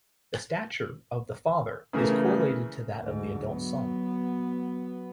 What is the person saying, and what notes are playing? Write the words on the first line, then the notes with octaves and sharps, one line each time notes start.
The stature of the father is correlated to that of the adult son.
C#3 E3 A3 G#4 A#4
D2 G#2
F#3 B3